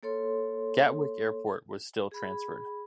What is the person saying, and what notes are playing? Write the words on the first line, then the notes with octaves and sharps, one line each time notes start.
Gatwick Airport was still transferred.
A#3 A4 C#5 C6
G#4 B5